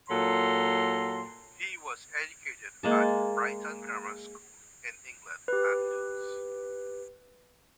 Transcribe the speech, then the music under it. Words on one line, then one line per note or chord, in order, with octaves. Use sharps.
He was educated at Brighton Grammar School in England and Lewes.
A#2 F#3 A4 A#5 C6
G#3 A#3 A5
G4 B4